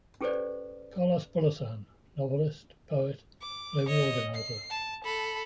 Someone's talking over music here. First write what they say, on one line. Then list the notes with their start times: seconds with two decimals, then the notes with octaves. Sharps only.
Carlos Bulosan, novelist, poet, labor organizer.
0.21 C#4 G4 A4 B4 C5 D5
3.42 D6
3.86 C#5 D#5
4.35 C7
4.70 A5
5.04 A4 B5